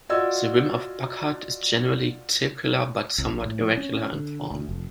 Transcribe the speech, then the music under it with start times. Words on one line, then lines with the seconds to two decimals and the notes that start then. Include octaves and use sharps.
The rim of Burckhardt is generally circular but somewhat irregular in form.
0.09 F4 F#4 D5 D#5 E6 G#6
3.18 C2
3.33 A#1
3.45 A2
3.62 F3
3.77 C#4
3.95 C#4
4.12 D3
4.51 D2
4.69 F1